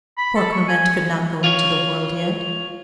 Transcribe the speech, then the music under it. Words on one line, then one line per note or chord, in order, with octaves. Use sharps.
Poor Clement could not go into the world yet.
B5
A4
C#6
G#5
F4 C#5